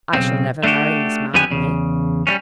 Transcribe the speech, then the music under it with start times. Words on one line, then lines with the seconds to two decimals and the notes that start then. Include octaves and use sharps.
"I shall never marry Miss Mildmay."
0.13 B1 F#2 C#3 C4
0.63 A3 D4 D#4 F#4 G4
1.34 F2 D3 F3 B3 G4 G#5
1.51 E2 C#3
2.27 G3 A3 C#4